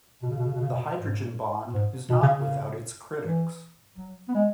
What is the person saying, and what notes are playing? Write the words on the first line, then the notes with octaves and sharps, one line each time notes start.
The hydrogen bond is not without its critics.
B2
C#3
B2
C#3
B2
C#3
B2
G#2
G#2
B2
C#3
C#3
E3
F#3
B3
G#3